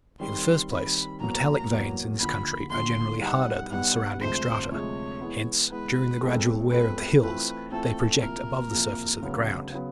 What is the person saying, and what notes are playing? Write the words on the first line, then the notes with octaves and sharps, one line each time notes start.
In the first place, metallic veins in this country are generally harder than the surrounding strata: hence, during the gradual wear of the hills, they project above the surface of the ground.
D#3 G3 C4 C6
D#3 G3 C4 B5
E2 B2 F#3 A#3 A#5
E2 B2 F#3 A#3
D#2 D3 F3 B5
D#2 D3 F3 C6
B2 G3 B3 D#4 F#5
B2 G3 B3 D#4 F#5
D2 C3 F3 G#3 C5
D2 C3 F3 G#3 C#5
E3 G#3 B3
E3 G#3 B3 B4
B2 G#3 C4 F4 A4
B2 G#3 C4 F4 A4 B4
E3 A3 C4 F4 B4
E3 A3 C4 F4 A4
C2 A#2 F3 A#4
C2 A#2 F3
D2 C#3 F#3 B3
C#3 F#3 B3